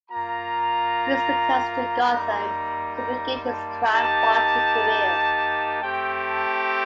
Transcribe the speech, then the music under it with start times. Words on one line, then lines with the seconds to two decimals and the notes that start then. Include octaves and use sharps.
Bruce returns to Gotham to begin his crime-fighting career.
0.10 A#3 F4 A#5
2.01 G3 A#3 D#4 A#5
2.96 A#5
3.44 A5
3.90 A#3 D#4 G4 A5
5.81 A3 C4 G4 G5
6.28 A5